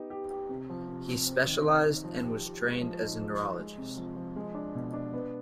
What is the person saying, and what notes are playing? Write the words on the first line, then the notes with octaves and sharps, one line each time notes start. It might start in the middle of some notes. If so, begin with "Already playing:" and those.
He specialized and was trained as a Neurologist.
Already playing: B3 D#4 G4
G4
G4
C3
F3
C3
C3
C4
D#3
D#4
D#4
F3
G4
G4
G#3
F3
D#4
F3
D#4
G#3
C3
F3
F3
G#3
D4
B2
D4
B3